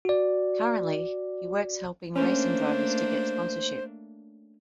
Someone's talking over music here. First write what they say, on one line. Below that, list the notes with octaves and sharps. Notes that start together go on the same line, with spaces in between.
Currently, he works helping racing drivers to get sponsorship.
F#4 D5
A3 A#3 C#4 D4 C5